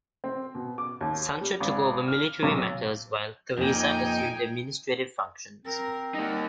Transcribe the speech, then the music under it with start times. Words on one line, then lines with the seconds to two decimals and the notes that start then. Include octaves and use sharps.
Sancho took over military matters, while Theresa assumed administrative functions.
0.24 C4
0.55 B2
0.78 D6
1.01 D#2
1.41 G3
1.60 G#1
2.08 F6
2.43 B1
3.58 F2 A#2 D#4 G5 G#5
5.65 C4 A#4
6.14 G3 A#3 D#4 F#5